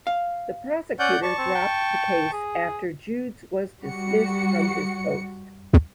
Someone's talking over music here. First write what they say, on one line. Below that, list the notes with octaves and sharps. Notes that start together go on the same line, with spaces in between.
The prosecutor dropped the case after Judes was dismissed from his post.
F5
C#4 D5 F#5 G6
D5 A5 C#6
C4
G5
G#4
G3 F#4 C#7